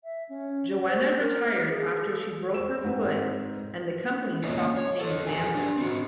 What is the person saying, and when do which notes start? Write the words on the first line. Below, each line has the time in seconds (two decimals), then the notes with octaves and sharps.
Joanna retired after she broke her foot and the company stopped paying the dancers.
0.04 E5
0.29 C#4
0.87 C5
1.19 A#4
1.52 B4
1.70 G#4
2.05 A4
2.53 C5 E6 E7
2.84 G#2 C4 B4
4.43 A3 A#3 C#4 F4 C#5 D#5
4.77 C#5
5.01 A4 D#5
5.27 F3 G4 G#4 A#4 F#5 G#5
5.55 D4 G4
5.77 C4 F#4